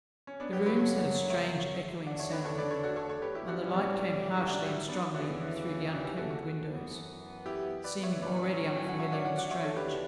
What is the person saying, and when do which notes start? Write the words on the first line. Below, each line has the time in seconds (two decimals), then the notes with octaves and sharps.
The rooms had a strange echoing sound in them,--and the light came harshly and strongly in through the uncurtained windows,--seeming already unfamiliar and strange.
0.27 C#4
0.40 B3 D4
0.53 F#2 C#3 F#3 G4 B4
0.66 G4 B4
0.79 A4 C#5
1.30 C#5 E5
2.06 E2 D3 A3 D4 D5 F#5
2.19 C#5 E5
2.32 B4 D5
2.45 A4 C#5
2.58 B4 D5
2.71 A4 C#5
2.83 F#4 A4
2.96 A4 C#5
3.09 A4 C#5
3.22 G4 B4
3.35 E4 G4
3.48 D4 F#4
3.61 A2 E3 G3 C#4 E4
3.73 B3 D4
3.86 C#4
3.99 C#4
4.37 C#4 E4
4.51 D4 F#4
4.63 E4 G4
4.88 B3 D4
5.15 E2 C#3 E3 D4 F#4
5.92 D4 F#4
6.04 E4 G4
6.17 F#4 A4
6.30 F#4 A4
6.68 F#2 E3 B3
7.46 E4 G4
7.84 B4 D5
8.03 C#5 E5
8.22 A2 F#3 C#4 B4 D5
8.76 G5
8.89 F#5
9.00 C#5 E5
9.12 D5 F#5
9.25 D5 F#5
9.38 D5 F#5
9.51 C#5 E5
9.64 A4 C#5
9.76 D2 C#3 E3 B3 D4 G4 B4